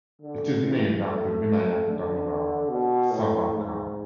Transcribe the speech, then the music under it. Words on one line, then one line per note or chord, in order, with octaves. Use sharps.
It is named after Vinayak Damodar Savarkar.
D3
E3
A3
D3
B2
A2
G#2